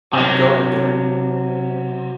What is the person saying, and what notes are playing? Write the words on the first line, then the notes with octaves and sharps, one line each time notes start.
I’m going there.
C3 F#3